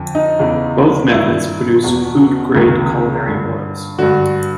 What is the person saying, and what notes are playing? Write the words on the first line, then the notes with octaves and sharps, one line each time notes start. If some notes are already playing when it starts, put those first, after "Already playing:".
Both methods produce food grade culinary oils.
Already playing: F2 D3
D#4
E2 C#3 E3
G2 D#3 E4
E2 B2
C#2 C3 D#3
G2 D3
G2 D3 F#4